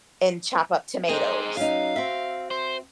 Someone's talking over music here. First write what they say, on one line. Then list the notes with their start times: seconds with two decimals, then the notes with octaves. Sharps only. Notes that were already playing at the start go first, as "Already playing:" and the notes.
and chop up tomatoes,
1.09 C4 D#4 G#4 C5
1.57 F#3 C#4 D#4 F5
1.96 C4 F#4 E5
2.51 C5